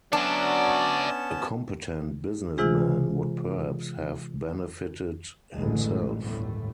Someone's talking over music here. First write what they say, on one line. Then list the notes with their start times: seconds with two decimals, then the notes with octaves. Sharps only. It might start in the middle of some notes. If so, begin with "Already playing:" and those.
A competent business-man would perhaps have benefited himself.
0.13 F#3 B3 C#4 D4 D5 E5 A5
2.58 C3 E3 G#3 F4 G#4
5.55 A1 F#2 B2 D3 G#3 A3
6.22 G1 D#2 A2 A3